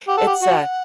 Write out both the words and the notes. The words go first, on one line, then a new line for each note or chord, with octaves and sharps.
it's a
G4 F#5
A4
G4
F#4